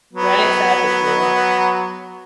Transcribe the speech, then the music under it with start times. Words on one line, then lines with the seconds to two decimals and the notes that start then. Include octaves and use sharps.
Right, sad but true.
0.13 F#3 B3